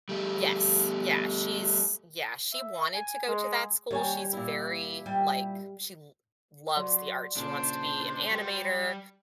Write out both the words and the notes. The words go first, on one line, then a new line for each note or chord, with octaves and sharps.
Yes, yeah, she's yeah, she wanted to go to that school, she's very, like she l loves the art, she wants to be an animator
G3 A3
E5
G#5
G#3
D#2 G3 C#5 G#5
A#2 E4
G3
F#3 D5 C6
A#2 C#3 D4 C5
G3 F#4